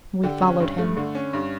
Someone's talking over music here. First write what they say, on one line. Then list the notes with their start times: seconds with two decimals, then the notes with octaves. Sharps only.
We followed him.
0.23 D3 G4
0.42 C#4
0.60 G2
0.78 A3
0.97 D3
1.15 C#4
1.33 G2